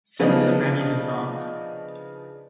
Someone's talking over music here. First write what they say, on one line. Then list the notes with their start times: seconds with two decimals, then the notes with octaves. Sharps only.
Senator Maggie Hassan.
0.19 C#3 F3 B3 D4 D#4